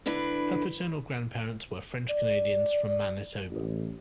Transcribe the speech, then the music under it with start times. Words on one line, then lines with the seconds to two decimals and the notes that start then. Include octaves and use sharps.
Her paternal grandparents were French-Canadians from Manitoba.
0.06 D3 D4 E4 B4
2.10 D5
3.51 A1